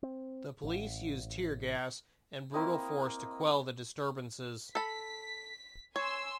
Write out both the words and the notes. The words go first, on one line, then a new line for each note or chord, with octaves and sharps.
The police used tear gas and brutal force to quell the disturbances.
C4
A1
A#3 C4 E4 D#5
A4 B5 B6
C#5 G#5 C6 E6